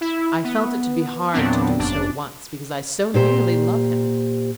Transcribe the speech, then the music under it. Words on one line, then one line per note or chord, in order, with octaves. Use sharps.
I felt it to be hard to do so once, because I so nearly love him!
E4
B3
E2 A#2 F#3 B3 C4 D4
G1 F#2 D4
A#2 G4 C5